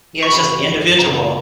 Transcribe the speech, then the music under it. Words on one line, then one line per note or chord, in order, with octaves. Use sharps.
Yeah, it's just the individual.
C#6
F#2 C#3 E3 B5
F#2 C#3 E3 A#5